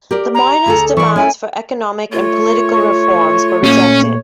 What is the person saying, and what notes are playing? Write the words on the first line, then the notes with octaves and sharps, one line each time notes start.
The miners' demands for economic and political reforms were rejected.
G4 A#4 D5
A#5
D2 G#4 A4
E3 D5 C#6
C#4 E4 F4 G#5
A3 F4 C#5
C#6
A#2 A#3 C#4